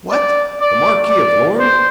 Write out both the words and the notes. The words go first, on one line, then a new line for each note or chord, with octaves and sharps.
'What! the Marquis of Lorne?
D5
D5
D5
C5